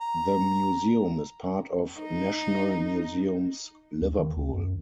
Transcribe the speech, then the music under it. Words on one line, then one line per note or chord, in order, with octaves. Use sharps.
The museum is part of National Museums Liverpool.
A#5
D#4
D#2
D#3
D2
F#2